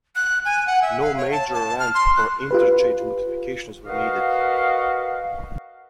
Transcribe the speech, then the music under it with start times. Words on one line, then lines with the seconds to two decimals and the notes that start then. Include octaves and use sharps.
No major ramp or interchange modifications were needed.
0.15 F#6
0.45 G#5
0.66 F#5
0.82 E5
1.01 F5
1.17 C#5
1.31 A5
1.53 A5
1.79 F6
1.94 C6
2.16 F#6
2.51 F4 G4 B4
3.86 F#4 A#4 B4 D#5 F5